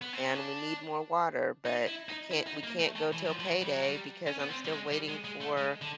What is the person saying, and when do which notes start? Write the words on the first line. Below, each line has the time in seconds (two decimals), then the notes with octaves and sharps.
and we need more water, but I can't we can't go till payday because I'm still waiting for,
0.02 B3
0.13 C4
0.24 C#4
0.35 D4
1.65 D#4
1.87 E4
2.09 D#4
2.31 E4
2.47 D#4
2.63 A#3
2.79 A3
2.96 A3
3.13 E3
3.25 F#3
3.28 F3
3.39 F3
3.45 F#3
3.62 G3
3.71 F#3
3.82 G3
4.27 C#4
4.40 B3
4.49 C4
4.65 G3
4.71 G#3
4.92 G3
5.09 G#3
5.24 G#3
5.41 A3
5.57 G#3
5.82 D3